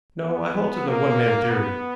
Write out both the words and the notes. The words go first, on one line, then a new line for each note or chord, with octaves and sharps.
"No, I hold to the one man theory."
B3
A#3
B3